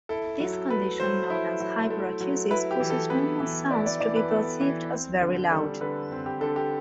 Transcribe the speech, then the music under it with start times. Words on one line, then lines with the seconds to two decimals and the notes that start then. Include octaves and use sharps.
This condition, known as hyperacusis, causes normal sounds to be perceived as very loud.
0.09 E4 A4
0.40 F#3
0.69 A3 B4
1.00 F#3 C5
1.30 E4
1.60 F#3
1.90 A3
2.20 F#3
2.51 E4 B4
2.71 G4
2.80 E3
2.90 A4
3.10 B3 B4
3.40 E3
3.71 E4 D5
3.86 D5
4.00 E3 D5
4.16 B4
4.31 B3 A4
4.61 E3
4.91 C4
5.21 D3
5.51 G3 A4
5.81 D3 B4
6.12 C4
6.26 G4
6.41 D3 A4
6.56 G4